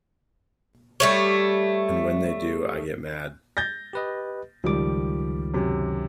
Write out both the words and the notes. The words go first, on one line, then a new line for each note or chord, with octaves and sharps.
And when they do I get mad.
G3 A3 C#5
G6 A6 A#6
G4 B4 D#5
C#2 D#3 F3 G3 D6
F#2 C3